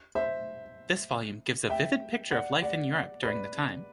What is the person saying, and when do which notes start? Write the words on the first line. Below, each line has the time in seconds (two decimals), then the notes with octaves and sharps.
This volume gives a vivid picture of life in Europe during the time.
0.15 C5 E5
1.70 E5 G5
2.31 D5 F#5
2.62 D5 F#5
3.23 B4 D5